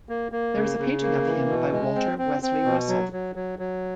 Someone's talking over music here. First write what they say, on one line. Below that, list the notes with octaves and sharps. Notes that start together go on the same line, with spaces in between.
There is a painting of him by Walter Westley Russell.
A#3
A#3
C#3
C#3
A#3
E3
B2
G#3
C4
C4
C4
B2
F#3
F#3
F#3
F#3